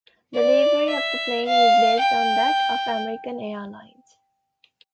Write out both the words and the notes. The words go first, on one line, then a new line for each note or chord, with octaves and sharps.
The livery of the plane is based on that of American Airlines.
D5
E5
F5
G5